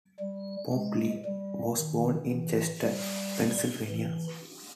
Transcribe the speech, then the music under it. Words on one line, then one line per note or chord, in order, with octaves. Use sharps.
Pompilli was born in Chester, Pennsylvania.
G3
G#3
G3
D#3
E3
G3
E3